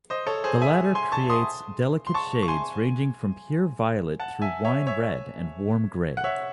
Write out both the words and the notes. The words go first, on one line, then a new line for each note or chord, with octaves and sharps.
The latter creates delicate shades ranging from pure violet through wine-red and warm grey.
C5 D#5
A4 C#5
G#4 C5
E5 G#5
G#5 C6
A5 C#6
C6 D#6
C6
A5 C#6
C#6
G#5 C6
F#5 A5
E5 G#5
C#5 E5
C#5 E5
F#5
C#5 E5